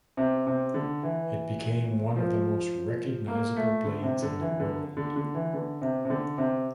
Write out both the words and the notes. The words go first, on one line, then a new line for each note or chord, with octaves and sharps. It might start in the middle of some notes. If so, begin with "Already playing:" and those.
It became one of the most recognizable blades in the world.
C3
C3
D3
E3
F3
A#3
A3
D3
C3
D3
E3
D3
D3
D3
E3
D3
C3
C3
D3
C3